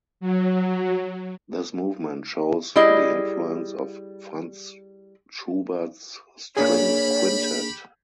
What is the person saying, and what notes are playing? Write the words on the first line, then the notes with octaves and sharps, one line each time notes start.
This movement shows the influence of Franz Schubert's String Quintet.
F#3
G3 E4 G#4 D#5
A#3 D4 G4 G#4 C#5 B5